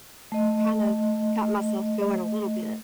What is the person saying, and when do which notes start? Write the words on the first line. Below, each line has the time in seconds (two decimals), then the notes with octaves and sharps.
kind of got myself going a little bit,
0.32 A3 D#5